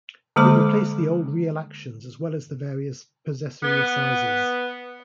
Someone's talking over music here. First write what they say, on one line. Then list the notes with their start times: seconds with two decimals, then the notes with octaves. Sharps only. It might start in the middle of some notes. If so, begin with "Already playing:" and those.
It replaced the old real actions as well as the various possessory assizes.
0.36 D3 G#3 A#3 C5 B5 D6
3.63 B3